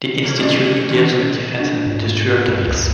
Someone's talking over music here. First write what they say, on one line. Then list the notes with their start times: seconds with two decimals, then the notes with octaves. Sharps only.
The Institute deals with defense and industrial topics.
0.23 A#2
0.38 F2 G#3 D5
0.63 G#3
0.89 D#3 C#4
1.60 D4
1.86 G#2
2.48 G2
2.67 C#2